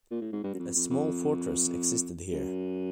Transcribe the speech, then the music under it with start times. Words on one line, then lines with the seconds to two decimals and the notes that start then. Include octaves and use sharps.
A small fortress existed here.
0.11 A#2
0.21 A2
0.32 G#2
0.43 G2
0.54 F#2
0.59 F2
0.75 F2
0.90 F2
2.33 F#2